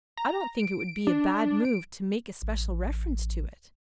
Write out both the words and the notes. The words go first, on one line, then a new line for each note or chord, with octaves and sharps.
I don't think it would be a bad move to make a special reference to it.
A#5
D7
D4
D7
A1